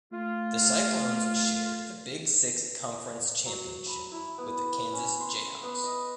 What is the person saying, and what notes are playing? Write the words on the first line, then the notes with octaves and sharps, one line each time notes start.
The Cyclones shared the Big Six conference championship with the Kansas Jayhawks.
A3 F4
F#3
B5
E4
B3
C#4
C6
B3
D#5